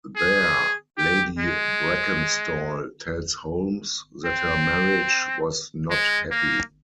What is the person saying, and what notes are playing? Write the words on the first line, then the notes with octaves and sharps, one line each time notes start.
There, Lady Brackenstall tells Holmes that her marriage was not happy.
G#4
G4
G#3
C4
G#3
A#3